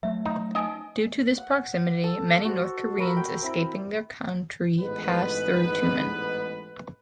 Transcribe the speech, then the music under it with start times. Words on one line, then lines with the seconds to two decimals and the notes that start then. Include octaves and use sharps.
Due to this proximity, many North Koreans escaping their country pass through Tumen.
0.03 F#3 A3 E5
0.26 D#4
0.55 D#4 D#5 G#5
1.38 F#5
2.04 A4
2.45 F#4 C5
2.98 F#4 A#4 B5 E6
3.17 G5
3.42 C4 E4
4.79 A1 G#2 G#3 B3 D#4 B4